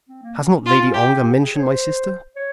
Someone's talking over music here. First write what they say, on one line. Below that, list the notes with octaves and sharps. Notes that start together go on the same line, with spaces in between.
Has not Lady Ongar mentioned my sister?
C4
A#3
C#4
D#4
C#4
D#4 F4
C#4
F4 G4
G4
G#4
C#5
C5
C#5